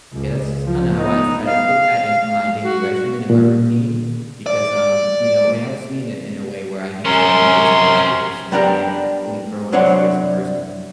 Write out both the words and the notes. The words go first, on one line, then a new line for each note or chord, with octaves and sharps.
yeah, that's just kinda how I try to fit that into my daily regimen and my routine because, um, you know, it helps me in a in a way where I get to be responsible for someone and really grow and mature as a person.
C#2
F3
B3 D#4
F5
F#4
A#2
D5
F#2 C3 C#4 A#4 C6
G3 B3 D4 G4 A#4
C2 F#3 D4 C5 C#5 F#5